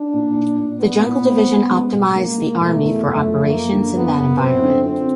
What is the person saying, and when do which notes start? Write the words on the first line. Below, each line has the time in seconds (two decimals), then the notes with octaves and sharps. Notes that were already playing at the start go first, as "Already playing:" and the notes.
The jungle division optimised the Army for operations in that environment.
Already playing: D4
0.14 A#2
0.36 A#2
0.59 A#2
0.80 A#2 B3
1.03 A#2
1.26 C4
1.48 G#3
1.71 G#3
1.93 B2
2.16 G#3 A#3
2.38 G#3
2.60 B2 A3
2.83 E2
3.05 F#2 A3
3.27 F3
3.50 F#2 A#3
3.72 D3
3.95 F#2 B3
4.17 F#2
4.40 F#2 C4
4.62 D3
4.84 C4 F4